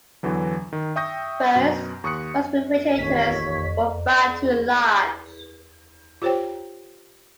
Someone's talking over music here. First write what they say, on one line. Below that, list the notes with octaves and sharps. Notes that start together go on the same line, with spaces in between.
First, most refrigerators were far too large.
E2 D3 E3 F#3
D#3
E5 G5 C#6 D#6 G6 A#6
F#2 B2
D#2 C#6 D#6 F#6 C#7
A1 D#2 C#5 B6
F4 G4 C5 C#5 G5